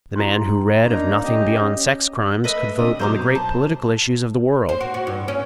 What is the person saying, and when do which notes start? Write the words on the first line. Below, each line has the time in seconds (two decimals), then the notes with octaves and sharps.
The man who read of nothing beyond sex crimes could vote on the great political issues of the world.
0.16 E4 C6
0.86 A#3 D4 D#4 A#5
1.23 C#4 G4 D#5
2.44 A3 B4 D#5 E5
2.79 C3 D4 D#5 D#6
3.00 B2 F#3 C5 A#5 D6
3.35 C5 A5
4.69 C5
4.81 F#4
4.94 F#4
5.07 G2
5.28 C#4